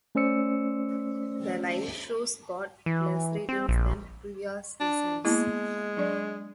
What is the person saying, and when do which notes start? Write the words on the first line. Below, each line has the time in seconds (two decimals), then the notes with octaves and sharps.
The live shows got less ratings than previous seasons.
0.15 A3 C#4 C5 D5 E6 C#7
2.86 E3
3.49 C4
3.69 A#1
4.80 D4
5.25 G#3 A#3 B3 E4
5.97 F#3 D4 D5